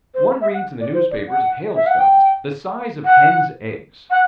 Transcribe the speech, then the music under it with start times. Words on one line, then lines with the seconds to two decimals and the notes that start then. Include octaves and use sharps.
One reads in the newspapers of hailstones the size of hens' eggs.
0.14 C5
0.41 E5
0.54 F#5
0.81 D5
0.94 C5
1.11 D5
1.29 F#5
1.75 E5
1.86 F#5
1.99 G5
3.05 F#5
4.11 F#5